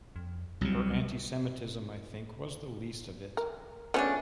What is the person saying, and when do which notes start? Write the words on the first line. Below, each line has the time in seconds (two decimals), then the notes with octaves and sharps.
Her anti-Semitism, I think, was the least of it.
0.16 F2
0.61 C2 C3 F#3
3.37 A#4
3.94 C#3 F3 A3 B3 C#4 D4